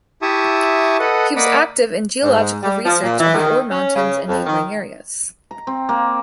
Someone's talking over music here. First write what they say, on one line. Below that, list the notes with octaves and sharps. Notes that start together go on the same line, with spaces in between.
He was active in geological research of the Ore Mountains and neighbouring areas.
E4 G4 E5 A5 C#6 D#6
A4 B4 D#5 F#5
A#3 D5 D#5 F#5 B5
G#2
G3
F3
A#2
E3
D#3
C#4
C#3
F2
D#3
A#5
C4
A#3